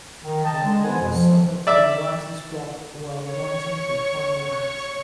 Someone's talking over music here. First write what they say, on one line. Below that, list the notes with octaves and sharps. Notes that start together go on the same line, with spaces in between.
Wilder suffered from writer's block while writing the final act.
D#3
D#5 G5 A5
G#3
B3 G#4 C5 F#5 G#5
F2 B2
F3
D5 E5
C#5 C#6